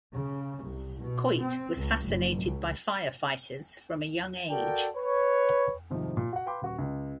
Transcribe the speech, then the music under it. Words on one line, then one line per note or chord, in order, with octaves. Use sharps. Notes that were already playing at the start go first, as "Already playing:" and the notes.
Coit was fascinated by firefighters from a young age.
C#3
C2
B2
C4
C#2
F#1
C#2
F#4 A4 A#4 D5 G5
B4 C#5
C2 G#2 D#3 F3
A#2
F#4 F#5
B4 F5 G5 B5 C6 D6
D#1 F#4 C#6
C#2